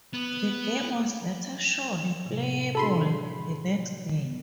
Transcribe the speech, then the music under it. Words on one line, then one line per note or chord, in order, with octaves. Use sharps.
The game was later shown playable the next day.
B3
A2 C3
D4 F#4 G#4 A4 B5 C6
F#3 B3